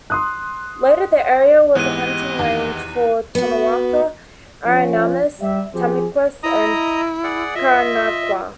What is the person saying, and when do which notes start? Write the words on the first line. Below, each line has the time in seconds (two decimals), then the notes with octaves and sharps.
Later, the area was a hunting range for Tonkawa, Aranamas, Tamiques, Karankawa.
0.10 C6 D#6 F#6
1.75 G#2 E3 B3 G4 D#5 F#6 D#7
2.38 E2 D#3
3.35 B3 F#4
4.65 F3 C#4 F4
5.40 G3 E5
5.74 F3 C4 G4 G#4
6.43 E4 D#5 A#5 D#6
7.24 G#4 D5 F#5
7.55 F4 D#5 E5